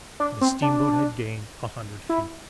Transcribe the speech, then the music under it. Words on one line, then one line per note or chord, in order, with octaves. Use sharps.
And the steamboat had gained a hundred feet.
D4
C4
D4
E4